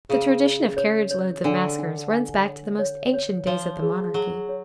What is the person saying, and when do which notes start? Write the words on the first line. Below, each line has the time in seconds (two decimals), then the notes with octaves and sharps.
The tradition of carriage-loads of maskers runs back to the most ancient days of the monarchy.
0.09 C#3 G#4
0.43 G#4
0.77 C#5
1.11 C#5
1.44 D3 D4
1.79 D4
2.12 G#5
2.45 C#5
2.79 C#5
3.14 C#5
3.47 F3 C#5
3.82 G#4
4.14 F#3 G#4
4.49 C#5